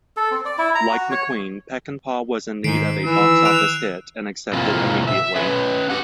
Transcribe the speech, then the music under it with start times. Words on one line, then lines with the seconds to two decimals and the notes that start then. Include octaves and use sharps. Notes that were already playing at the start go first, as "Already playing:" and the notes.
Like McQueen, Peckinpah was in need of a box office hit and accepted immediately.
0.17 A4
0.31 C4
0.45 D5
0.58 E4
0.75 A#5
0.92 F#4
1.11 C#5
2.64 G#2 D#3 C7 D7
3.05 E3 E6
3.45 F#6 D7 F7
4.53 A2 C3 G#3 A#3 C4 F4
5.07 E5
5.36 C#4 B4 C#5
5.90 G4 F#5